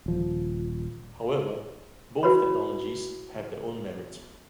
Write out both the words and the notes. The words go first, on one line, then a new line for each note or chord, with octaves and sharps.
However, both technologies have their own merit.
D#1 F3
E4 F#4 B4 C#5 B5